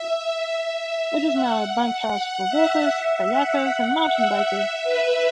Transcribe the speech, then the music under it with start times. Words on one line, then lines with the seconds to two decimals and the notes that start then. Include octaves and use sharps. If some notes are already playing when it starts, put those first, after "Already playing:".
It is now a bunkhouse for walkers, kayakers and mountain bikers.
Already playing: E5
0.55 E5
1.32 F#5
2.10 F#5
2.49 E5
2.88 E5
3.27 F#5
3.66 F#5
4.05 E5
4.45 E5
4.83 B4